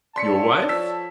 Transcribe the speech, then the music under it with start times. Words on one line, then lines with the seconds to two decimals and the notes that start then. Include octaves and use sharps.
"Your wife?"
0.16 A4 C#5 D5 A5 C6 B6 C#7
0.69 F3 E6 B6